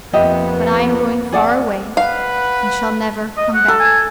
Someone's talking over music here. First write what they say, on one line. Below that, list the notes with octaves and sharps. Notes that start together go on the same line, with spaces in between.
But I am going far away, and shall never come back....
F2 A#3 B3 G4 D#5 E5
G#4 D5 F#5
B4 F5 F#5
D#5
F#5
A4
G#5